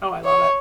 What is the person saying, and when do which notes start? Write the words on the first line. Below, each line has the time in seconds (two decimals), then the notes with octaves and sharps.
Oh, I love it.
0.25 C#5